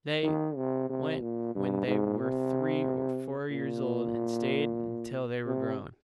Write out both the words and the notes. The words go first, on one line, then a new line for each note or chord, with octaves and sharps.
They went when they were three or four years old and stayed until they were grown.
D#3
C3
C3
A#2
G2
G#2
C3
A#2
C3